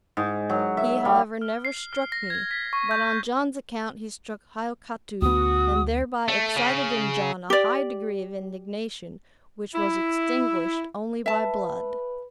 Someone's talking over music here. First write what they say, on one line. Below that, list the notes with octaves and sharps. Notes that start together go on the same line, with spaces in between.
He, however, never struck me; but on John's account he struck Hiokatoo, and thereby excited in John a high degree of indignation, which was extinguished only by blood.
G#2
F#3
E5
G3
F6
C7
F6
A#6
G#6
B6
C#6
G6
D2 B3 F#4 D#6
A3
C#3
G4 D5
E4
B4 E5 A5